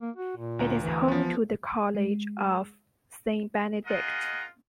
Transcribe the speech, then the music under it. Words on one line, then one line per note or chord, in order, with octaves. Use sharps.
It is home to the College of Saint Benedict.
A#3
F#4
A#2
D2 A#5
E3
F3 B3
G#3
G#3 F4 G#4 A#4 D#5 F#5